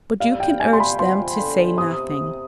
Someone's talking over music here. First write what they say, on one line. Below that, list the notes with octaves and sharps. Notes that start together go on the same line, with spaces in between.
'But you can urge them to say nothing.
G3 F5
G5
G#5
C6
B5
F3 C6
G3
F3
D3
C3 D#6